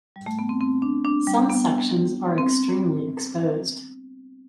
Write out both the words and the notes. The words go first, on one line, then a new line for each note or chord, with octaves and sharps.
Some sections are extremely exposed.
G3
A3
B3
C4
C4
D4
D4
G3
B3
C4